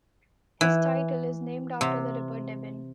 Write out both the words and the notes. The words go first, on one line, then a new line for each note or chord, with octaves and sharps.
His title is named after the River Deben.
E3
C3